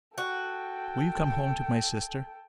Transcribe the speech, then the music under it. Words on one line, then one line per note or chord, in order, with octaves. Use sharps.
Will you come home to my sister?
F#4 A4 G5